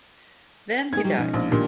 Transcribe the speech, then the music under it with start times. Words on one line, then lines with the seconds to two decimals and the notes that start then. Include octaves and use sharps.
Then he died.
0.93 G#3 C#4 D#4 G#4 G#6
1.04 F#3 G3
1.18 B2 F3 C#4 D#4 D#5
1.34 A#1
1.51 A#2 D#3 A#3 D4 G4